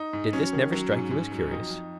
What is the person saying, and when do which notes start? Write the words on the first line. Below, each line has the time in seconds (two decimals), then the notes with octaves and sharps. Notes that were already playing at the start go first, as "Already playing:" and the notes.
Did this never strike you as curious?
Already playing: D#4
0.13 G#2
0.33 F#3 C#4
0.53 D#3
0.73 F#3
0.91 G#2
1.11 G#2
1.32 F#3
1.51 F2 D#4
1.70 F2